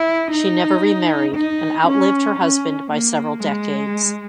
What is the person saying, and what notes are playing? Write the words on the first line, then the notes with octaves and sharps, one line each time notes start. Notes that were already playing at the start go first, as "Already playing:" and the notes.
She never remarried and outlived her husband by several decades.
Already playing: E4
D#4
D#4
C#4
C#4
A#3
G#3